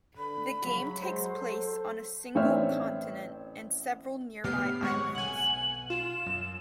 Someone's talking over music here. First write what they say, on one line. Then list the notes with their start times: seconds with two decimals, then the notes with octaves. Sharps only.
The game takes place on a single continent and several nearby islands.
0.17 D3 B5
0.62 C#3 F#3
1.01 G#3 C5
1.32 A4
2.35 A1 C4 D4 C#5 E5 F6
4.44 D2 A2 B3 G4 F6 C7
4.82 G#2 D#3 G#3 C4 C#5 F#5 C#6
5.15 B1 F#5 G#5 F#7
5.90 F4 E7
6.26 F#2